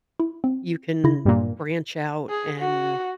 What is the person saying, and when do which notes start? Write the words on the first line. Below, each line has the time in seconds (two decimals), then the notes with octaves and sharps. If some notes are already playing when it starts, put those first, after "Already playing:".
you can branch out and,
0.20 E4
0.44 C4
1.04 C#3 E4 A#6
1.25 G2 A#2
2.30 G#4
2.60 F#4